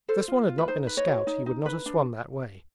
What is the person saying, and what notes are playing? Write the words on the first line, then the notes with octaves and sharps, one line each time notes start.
If this one had not been a scout he would not have swum that way.
A4 C5
F4
F4
B4
D#4 C5
B4
C#5 D#5
F#4
D#4
D#4
B4
D4